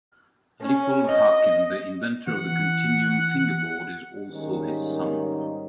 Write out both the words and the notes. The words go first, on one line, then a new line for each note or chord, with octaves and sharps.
Lippold Haken, the inventor of the Continuum fingerboard, is also his son.
C#4
D#5
E3 F#5
G#2 D#3 G3 A#3 C#4 D#4